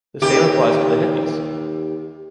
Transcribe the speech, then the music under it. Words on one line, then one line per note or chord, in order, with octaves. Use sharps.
The same applies to the hippies.
D#2 G4